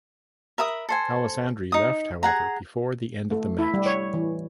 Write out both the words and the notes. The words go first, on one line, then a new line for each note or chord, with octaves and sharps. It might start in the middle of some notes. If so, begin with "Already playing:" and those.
Alessandri left however before the end of the match.
A#4 E5 B5 D#6
A4 C5 G#5
D#4 D#6
G#4 F#5 A#5
A3
E4
G3
C#5
E3